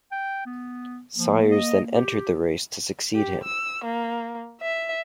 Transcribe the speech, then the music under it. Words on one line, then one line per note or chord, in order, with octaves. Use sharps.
Sires then entered the race to succeed him.
G5
B3
F3 A#3
D#5
G4
G4
E6
A#3
E5